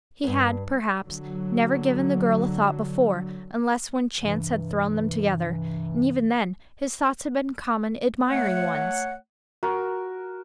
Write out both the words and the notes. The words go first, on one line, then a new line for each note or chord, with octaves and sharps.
He had, perhaps, never given the girl a thought before, unless when chance had thrown them together, and even then his thoughts had been common admiring ones.
E2 G2
D3 F#3
G2 C3 E3
A3 C#5 F#5
F#4 A#4